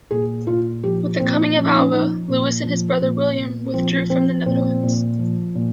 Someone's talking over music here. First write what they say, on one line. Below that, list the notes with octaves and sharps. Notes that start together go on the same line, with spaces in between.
With the coming of Alva, Louis and his brother William withdrew from the Netherlands.
A#2 G#4
A#2 F4
F3 G4
A#2 C4
F3 C#4
D#4
C#4
F3 D#4
A#2
F3
A#2
A#2
F3 C4
F3 C4
A#2 C4
A#2
F3
A#2